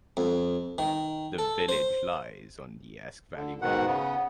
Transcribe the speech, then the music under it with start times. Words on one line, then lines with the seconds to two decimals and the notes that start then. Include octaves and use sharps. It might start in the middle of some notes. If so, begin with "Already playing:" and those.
The village lies on the Esk Valley Walk.
0.17 F2
0.78 D#3
1.39 A4
1.69 C5
3.36 D3
3.62 G#2 B2 D#3 F#5
3.87 C#3 B3